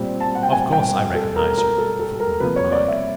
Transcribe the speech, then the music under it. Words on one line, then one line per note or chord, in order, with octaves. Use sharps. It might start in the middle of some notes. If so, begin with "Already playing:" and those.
"Of course I recognise you," the footman replied.
Already playing: A#2 G3 C4
A5
F#5
G5
G#5
G5
A4
A#4
A#4
A4
A4
A#4
C3 F3 A#3 B4
C#5
D5
E5